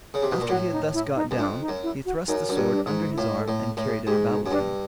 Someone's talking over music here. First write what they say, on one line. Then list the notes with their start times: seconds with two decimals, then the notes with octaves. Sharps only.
After he had thus got down, he thrust the sword under his arm and carried it about with him.
0.14 C#3
0.22 C3
0.32 B2
0.40 A#2
0.49 A2 F#4
0.72 D#4
0.94 E4
1.16 D#4
1.31 F#2
1.38 F2 D4
1.61 D#4
1.68 F#2
1.83 E4
2.05 F#4
2.28 F#2 D#4
2.49 F#2 D4
2.57 G2
2.73 D4
2.87 G#2
2.95 D#4
3.10 E4
3.17 A2 F4
3.39 A4
3.48 A2
3.77 A2
3.85 G#4
4.07 G#2 G4
4.29 D#4
4.46 F#2
4.51 G2 D4